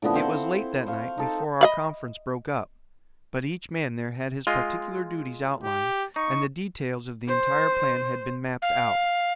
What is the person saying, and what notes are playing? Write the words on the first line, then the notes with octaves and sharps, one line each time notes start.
It was late that night before our conference broke up, but each man there had his particular duties outlined, and the details of the entire plan had been mapped out.
A2 D3 F3 B3
C4 E4 C5 F#5
C5 F5 C#6
D#4 A4
D#5 F5 B5
G#3 F4 D#5
G4
D#4 C#6
C5
F5